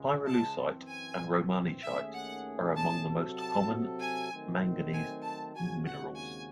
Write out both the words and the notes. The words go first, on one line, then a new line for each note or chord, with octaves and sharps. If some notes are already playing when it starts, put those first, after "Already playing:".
Pyrolusite and romanechite are among the most common manganese minerals.
Already playing: C#2 C#3 G#3
A5
F#2 E3 C4
G#5
D#2 D#3 A3 C#4 G#4 E5
F#5
A5
C3 F#3 C4 F#4 A4
A5
G#5
D#3 F#3 A3 C4
G#5
A5
D#2 C#3 G#3 C4 F#4 G#5
F#5
G#5